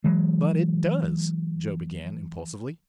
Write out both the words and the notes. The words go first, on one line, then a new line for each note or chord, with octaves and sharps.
"But it does"--Joe began, impulsively.
E3 F#3 G#3